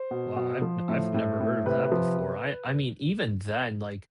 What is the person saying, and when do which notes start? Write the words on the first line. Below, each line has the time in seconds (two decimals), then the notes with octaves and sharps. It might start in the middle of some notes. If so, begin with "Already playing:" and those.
Well, I've I've never heard of that before, I I mean, even then, like,
Already playing: C5
0.11 B2
0.36 B2
0.62 F3
0.89 A2
1.14 A2
1.40 A2
1.66 C3 B4
1.91 F3